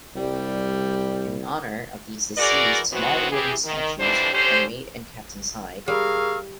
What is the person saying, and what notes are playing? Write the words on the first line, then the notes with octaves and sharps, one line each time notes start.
In honour of these deceased small wooden statues are made and kept inside.
C2 G3
E3 F#4 G#4 A#4 D5
D#3 E3 F#3 B3 C4 F#4
E3 G4 G#4
D#3
F2 D3 E3 G3 D4 C5
D3 C#4 G4 C5
G3 G#4 A#4 F5 C#6 E6